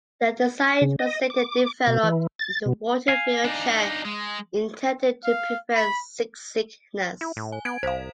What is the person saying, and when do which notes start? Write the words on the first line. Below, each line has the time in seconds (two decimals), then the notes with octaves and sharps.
The design was later developed into a water-filled chair intended to prevent seasickness.
0.81 C#3
0.99 D#5
1.30 D6
1.87 B2
2.03 E3
2.39 A6
2.66 B2
3.08 F5 G#5
3.45 D4 D#4
4.05 G#3
5.24 F5
5.76 B5
7.21 E4
7.37 A2
7.52 G#5
7.65 B3 G#6 D7
7.83 C2 C5 F5